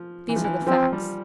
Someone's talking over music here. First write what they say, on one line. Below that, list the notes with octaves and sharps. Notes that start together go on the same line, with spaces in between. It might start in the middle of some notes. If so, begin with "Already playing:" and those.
These are the facts.
Already playing: F3
E3
F3
E3
E3
F3 C4
G3